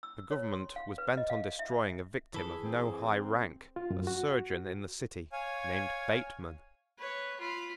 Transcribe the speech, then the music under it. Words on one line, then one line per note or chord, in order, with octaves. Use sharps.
The government was bent on destroying a victim of no high rank, a surgeon in the City, named Bateman.
E6
C#5
C6
F5
B4
D#5
F5
E5
E3 G#4 A4 B5
C4
F4
F#2
F#4
C#5 F5 G#5
B4 C#5
F4 B5